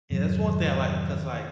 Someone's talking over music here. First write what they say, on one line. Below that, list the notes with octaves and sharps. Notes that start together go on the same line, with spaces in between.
Yeah, that's one thing I like 'cause, like,
F2 G#2 C3 D#3 E3 F#3